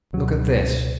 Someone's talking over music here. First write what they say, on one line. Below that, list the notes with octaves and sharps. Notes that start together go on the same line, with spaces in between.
"Look at this!"
C#2 B2 F#3